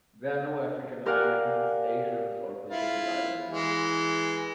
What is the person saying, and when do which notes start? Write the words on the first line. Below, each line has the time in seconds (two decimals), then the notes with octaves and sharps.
There are no African Americans, Asians, or Pacific Islanders.
1.06 G4 A#4 D5 F5 F#5 G#5
2.70 E4 F4
3.51 E3 G#3